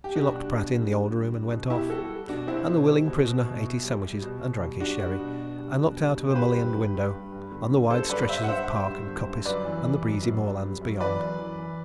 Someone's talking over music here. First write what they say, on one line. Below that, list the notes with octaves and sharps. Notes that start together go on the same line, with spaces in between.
She locked Pratt in the old room and went off, and the willing prisoner ate his sandwiches and drank his sherry, and looked out of a mullioned window on the wide stretches of park and coppice and the breezy moorlands beyond.
G4
B2 D4 F#4
G3
B2
G3
G3
G3
G3
B2
B2 E4 G4
G3 F#4 A4
G3
B2 D4 F#4
B2 C4 E4
B2
G3
B2
B2
B2
B2
G3
G3
B2
B2
G3
G3 D4 F#4
G3
B2
B2
G3
B2
G3
B2
C5
D3 G4 B4
G2
G2
G2
G2
G2
D3
D3
G3 A4 C5
G2 B4 D5
G3 C5 E5
F#5
G2 C5 E5
G3
G2
D3
G2
F#2 B4 D5
E3
G3
F#2
F#2
F#2
G3
F#2
E3 B4 D5
F#2
E3
E3